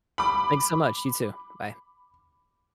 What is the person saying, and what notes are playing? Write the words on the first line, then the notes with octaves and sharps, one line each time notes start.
Thanks so much. You too. Bye.
B5 D6